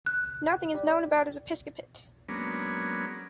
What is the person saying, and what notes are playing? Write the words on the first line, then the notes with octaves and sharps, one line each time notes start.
Nothing is known about his episcopate.
F#6
G3
F#3 G#3 A#3 B3 C#4 D4